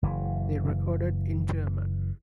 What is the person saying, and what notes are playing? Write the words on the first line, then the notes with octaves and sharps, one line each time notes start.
They recorded in German.
F#1 E3